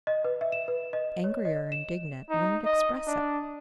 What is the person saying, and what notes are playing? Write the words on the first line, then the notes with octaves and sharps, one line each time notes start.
Angry or indignant wouldn't express it.
D#5
B4
E5
E7
B4
D#5
C#5
D#5
E7
D#4
D#5
D4